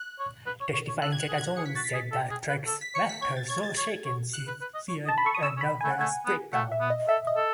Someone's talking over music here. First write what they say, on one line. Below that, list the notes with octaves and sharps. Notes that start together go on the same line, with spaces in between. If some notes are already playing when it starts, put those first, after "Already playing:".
Testifying, Zeta-Jones said the threats left her so shaken she feared a nervous breakdown.
Already playing: F#6
C#5
B4
C#5
C#5
C#5
A4 F#6
G#6
F#6
G#4
F#6
G#6
G#4 C#7
B6
F#4 A6
B6
G#4
A4
G#4
B4
A4
B6
C#5 C#7
B6
C#5 G#6
A6
C#5 G#6
A6
C#5 G#6
C#5
F#6
B4
B4
D#5
C#5
D#5 A5
B5
A4 C#6
D#6
C#4 E6
C#4
B5
A3 G#5
F#5
A3 G#5
B3
A3 F#5
E5
B3
D#5
A4 E5
D#5
A4